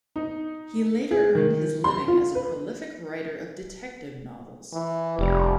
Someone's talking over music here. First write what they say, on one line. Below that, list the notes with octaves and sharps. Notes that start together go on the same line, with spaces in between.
He later earned his living as a prolific writer of detective novels.
D#4
G#4
D#3
C6
F4
B4
E3
F1 G3